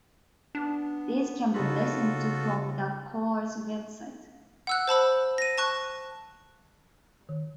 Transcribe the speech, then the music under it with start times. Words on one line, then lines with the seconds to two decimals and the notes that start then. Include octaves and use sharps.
These can be listened to from the choir's web site.
0.55 B3 D4
1.54 C#3 D#4 F4 F#4 A4 B4
4.67 F#5 E6 F#6
4.88 C5 A5 B5 E6
5.38 A#6 D#7
5.58 A5 C#6 F#6
7.29 D#3